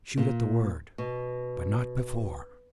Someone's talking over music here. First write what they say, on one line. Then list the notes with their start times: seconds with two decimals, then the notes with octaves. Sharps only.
Shoot at the word, but not before.
0.18 A#2
0.98 B2